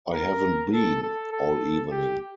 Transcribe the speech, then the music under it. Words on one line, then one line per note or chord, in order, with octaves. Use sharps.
I haven't been, all evening.
A#4
A4
A4
A4
G4